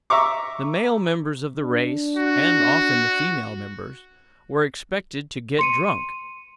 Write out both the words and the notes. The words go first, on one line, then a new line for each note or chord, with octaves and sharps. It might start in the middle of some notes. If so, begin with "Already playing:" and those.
The male members of the race, and often the female members, were expected to get drunk.
E5 A#5 C#6 D6
D4
F#4
C6 C#7 D#7